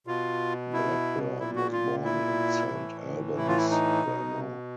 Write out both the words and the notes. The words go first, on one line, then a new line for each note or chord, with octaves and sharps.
Blackburn was born in Saint Albans, Vermont.
B2 F4
E4
A#2 E4
F#4
F4
E4
A2 E3
E4
F4
E4
D#4
B2